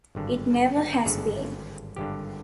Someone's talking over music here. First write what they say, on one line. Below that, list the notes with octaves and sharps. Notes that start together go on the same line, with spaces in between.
It never has been.
G#1 G2 D3
G#1 G2 D3 G#4
G#1 G2 D3 G4